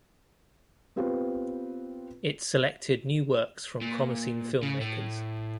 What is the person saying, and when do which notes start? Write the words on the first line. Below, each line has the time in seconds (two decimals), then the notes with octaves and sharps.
It selected new works from promising filmmakers.
0.96 B3 C4 F4 G4 B4
3.82 A#2
4.63 C#3
4.81 A2